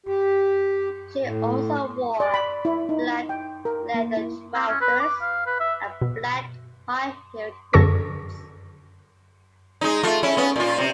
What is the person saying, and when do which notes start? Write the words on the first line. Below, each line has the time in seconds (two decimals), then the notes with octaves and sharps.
She also wore black leather trousers and black high-heeled boots.
0.06 G4
1.21 A2
2.20 D5
2.34 B5
2.65 E4
2.89 D#4
3.29 G5
3.65 A#4
3.94 A#3
4.17 E4
4.55 C4
4.68 C#4
4.81 B4
5.00 D6
5.21 F5
5.46 B4
5.60 E5
6.02 B2
7.73 F#2 D3 G#4 A4 C#6 A#6
9.81 G#3 D#4
10.03 A3 F4
10.23 C#4 E4
10.37 B3 C#4
10.56 A#2 F4
10.78 C3